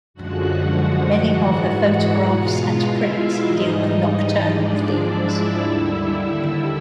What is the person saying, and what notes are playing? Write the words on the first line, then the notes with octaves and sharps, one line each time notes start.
Many of her photographs and prints deal with nocturnal themes.
F#2 D3 F3 G#3 F#4 F#5
G#2 E3 G#3 F#4 F#5
B2 G#3 F4 F5
E4 E5
G#2 E3 G3 D#4 D#5
D#4 D#5
G#2 F3 G#3 D4 D5
E4 E5
D#2 D3 G3 E4 E5